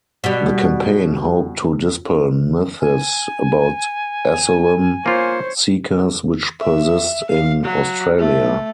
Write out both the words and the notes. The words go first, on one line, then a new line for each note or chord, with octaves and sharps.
The campaign hoped to dispel myths about asylum seekers which persist in Australia.
B2 G3
G#5
A#3 F4 C5 C#5
E5
F5
F#3
A3